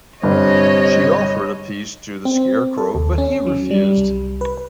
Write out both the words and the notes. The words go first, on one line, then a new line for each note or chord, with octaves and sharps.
She offered a piece to the Scarecrow, but he refused.
G1 C3 C#5 D#5
C4
A4
D#2
C#4
F#3
G3
C2
B4